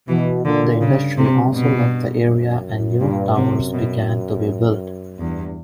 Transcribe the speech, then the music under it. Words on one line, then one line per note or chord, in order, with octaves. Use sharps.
The industry also left the area and new towers began to be built.
B2 E3
A#2 D3
G2 C#3
C3
B2
F#2
G2 A#2
F#2 C3
B2
E2 G2